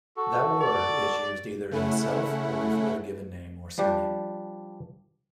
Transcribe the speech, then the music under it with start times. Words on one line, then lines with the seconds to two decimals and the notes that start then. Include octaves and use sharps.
That word is used either in itself or before the given name or surname.
0.17 F#4 A4
0.60 D5
1.71 C#3 A3 C#4 E4 F#5
3.78 F3 G3 D4 G4